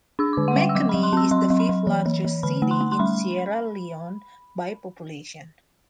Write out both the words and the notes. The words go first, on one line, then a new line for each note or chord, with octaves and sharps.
Makeni is the fifth largest city in Sierra Leone by population.
D4 E6
D3 D6
F#5
G3
G5
E6
F#3 D6
F#3 B5
C6
C4 E6
F#3 C6
F#3
B5
F#3
E3
E3
E3
D3 B5
A3
C6
A3
C6
G3 B5